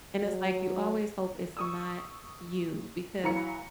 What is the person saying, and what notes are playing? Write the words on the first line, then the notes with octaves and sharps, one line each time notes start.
and it's like you always hope it's not you because
F#3
C#6 D#6 E6
E3 F#3 F5 A#5 B5 C#7